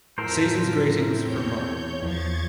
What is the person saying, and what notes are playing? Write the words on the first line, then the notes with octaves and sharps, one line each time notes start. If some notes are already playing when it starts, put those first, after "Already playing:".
Season's Greetings from moe.
F2 A2 F4 A4 A#4 C5 B6
E4
E2 C4 C#5 G6
E2 F3 C#6 G#6 A6